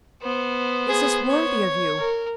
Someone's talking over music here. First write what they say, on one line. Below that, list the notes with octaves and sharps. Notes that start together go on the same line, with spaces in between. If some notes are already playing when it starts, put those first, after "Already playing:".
Is this worthy of you?
B3 C5
G#4
C#5
A#4